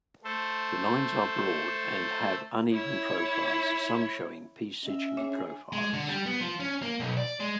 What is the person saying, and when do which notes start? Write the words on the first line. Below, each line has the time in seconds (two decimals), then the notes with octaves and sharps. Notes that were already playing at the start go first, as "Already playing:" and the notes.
The lines are broad and have uneven profiles, some showing P Cygni profiles.
0.24 A3 A4 C5
2.72 E4 C#5
4.84 C#4 D#5 E5
5.17 D4 G#4 C#5 E5
5.73 G#3
5.94 D3
6.09 G3
6.26 B3
6.41 F3
6.60 C#4
6.83 A#3
7.00 B1
7.17 D5
7.40 G#3